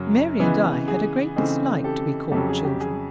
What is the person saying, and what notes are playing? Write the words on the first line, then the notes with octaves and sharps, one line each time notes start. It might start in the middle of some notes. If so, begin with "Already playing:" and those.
Mary and I had a great dislike to be called children.
Already playing: F#2 C#3 F#3
C#3 E3 G#3 B3
G#4
C#3 E3 A3 C4 D#4 G#4
G4 A4
F2 C#3 F#3 G4 A4
G#4
G4
G#4